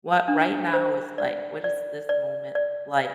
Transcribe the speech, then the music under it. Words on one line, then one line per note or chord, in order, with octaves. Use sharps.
what right now is like, what is this moment like
D4
C5
D5
D5
D5
D5